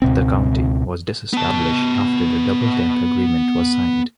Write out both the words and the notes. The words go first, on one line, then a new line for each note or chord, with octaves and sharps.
The county was disestablished after the Double Tenth Agreement was signed.
C#2 B2 C4
B3 A5